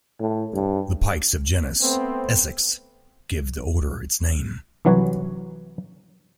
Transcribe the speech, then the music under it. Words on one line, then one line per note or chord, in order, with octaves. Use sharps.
The pikes of genus "Esox" give the order its name.
A2
G2
A3 B3 C4
C2 E3 F#3 F#4 B4 C#5